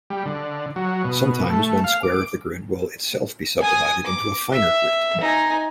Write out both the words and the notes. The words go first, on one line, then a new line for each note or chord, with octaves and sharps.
Sometimes one square of the grid will itself be subdivided into a finer grid.
G3
D3
F#3
B2
A3
F5
D6
G#5 D#6
D6
E5
D#4 G#5